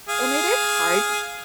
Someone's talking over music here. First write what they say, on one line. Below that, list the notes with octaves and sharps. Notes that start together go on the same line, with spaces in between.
And it is hard
G#4 F5